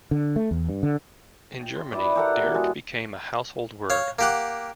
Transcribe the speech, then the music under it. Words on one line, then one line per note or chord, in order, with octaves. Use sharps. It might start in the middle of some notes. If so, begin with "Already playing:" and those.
In Germany, "Derrick" became a household word.
D3
A3
E2
G2
D3
G5
C6
E4 B4 D5 D#5
G4 A4 A#4 F#5
B2
G#3
C#5 F5
A#3 G4 F#5